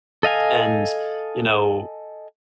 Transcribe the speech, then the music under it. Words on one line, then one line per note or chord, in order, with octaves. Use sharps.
and, you know,
A4 D#5 F5 G#5